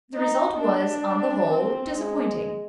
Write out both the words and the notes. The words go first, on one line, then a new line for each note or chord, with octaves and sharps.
The result was, on the whole, disappointing.
D#4
D4
C4
G#3